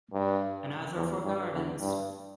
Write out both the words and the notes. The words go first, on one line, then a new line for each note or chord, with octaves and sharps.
Another for gardens.
G2
E2
G2
E2
G2